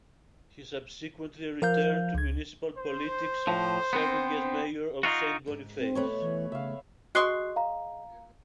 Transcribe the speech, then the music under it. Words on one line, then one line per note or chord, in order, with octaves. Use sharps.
He subsequently returned to municipal politics, serving as mayor of Saint Boniface.
F3 A#4 F5 G6
C#2 G#6
C5
A2 F3
B3 C4
D#4 F4 F#4
G#2
C4
E2 B2 A3 B4 C#5
E3
C#3 E5 F5
G#3 F#4 C6 C#6 F#6 C7
F5 A#5